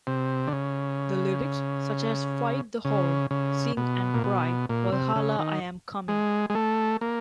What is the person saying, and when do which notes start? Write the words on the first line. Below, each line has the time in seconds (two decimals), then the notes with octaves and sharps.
The lyrics, such as Fight the horde, sing and cry, 'Valhalla, I am coming!
0.07 C3
0.47 D3
0.53 C#3
2.85 C#3
3.31 C#3
3.77 B2
4.14 A#2
4.24 B2
4.69 A#2
4.92 C3
5.16 C#3
5.39 D#3
6.08 G#3
6.50 G#3
6.55 A3
7.01 A#3